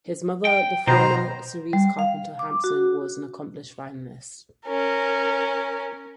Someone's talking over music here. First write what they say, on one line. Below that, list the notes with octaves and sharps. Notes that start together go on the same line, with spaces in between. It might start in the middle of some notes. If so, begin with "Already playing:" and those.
His mother, the former Cerise Carpenter Hampson, was an accomplished violinist.
G5
B2 D#3 C5 A#5
G3
F5
D6
F#4
C#4 A#4